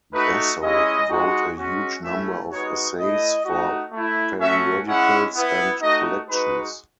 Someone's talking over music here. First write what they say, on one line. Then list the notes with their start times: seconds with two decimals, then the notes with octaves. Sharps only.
Basso wrote a huge number of essays for periodicals and collections.
0.13 A3 D#4 F#4 B4
0.60 G#3 C#4 E4 D#5
1.08 G#3 D#4 F#4
1.55 G#3 C#4 F#4
2.02 A3 C#4 E4 E5
2.50 G#3 B3 D#4 F#4 C#5
2.97 A3 E4 D#5
3.45 A3 D#4 F#4
3.92 A3 E4
4.39 A3 C#4 F#4 E5
4.87 G#3 C#4 E4 F#5
5.34 B3 E4
5.82 A3 D#4 F#4 D#5
6.29 G#3 D#4 F#4 B4